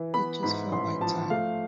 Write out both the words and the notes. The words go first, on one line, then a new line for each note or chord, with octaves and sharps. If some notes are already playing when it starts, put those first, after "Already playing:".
It just felt like time.
Already playing: E3
B3 B5
G#2 B5
A1 C6
F3 A5
A3 F5